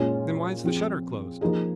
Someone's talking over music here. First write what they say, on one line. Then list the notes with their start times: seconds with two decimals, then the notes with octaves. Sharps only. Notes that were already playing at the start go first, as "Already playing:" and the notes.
"Then why's the shutter closed?"
Already playing: A#2 G#3 C#4 F4
0.64 F3 C4 F4 G#4
1.41 F3 A#3 D#4 G#4